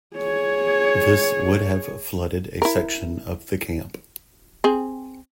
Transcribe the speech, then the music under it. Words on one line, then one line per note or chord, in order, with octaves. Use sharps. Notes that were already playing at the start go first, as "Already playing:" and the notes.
This would have flooded a section of the camp.
G#4 C#5
E4 A#4
C4 G#4